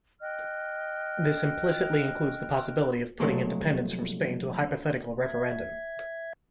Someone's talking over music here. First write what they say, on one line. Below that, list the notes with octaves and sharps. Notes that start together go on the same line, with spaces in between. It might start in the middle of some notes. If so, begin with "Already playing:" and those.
This implicitly includes the possibility of putting independence from Spain to a hypothetical referendum.
D#5 G5 F6 F#6
C2 F2 A#2 F#3 G#3 A3
E5 G#6